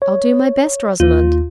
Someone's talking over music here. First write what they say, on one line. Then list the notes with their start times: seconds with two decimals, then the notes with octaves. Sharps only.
'I'll do my best, Rosamond.
0.02 C#5
1.00 D#2 F4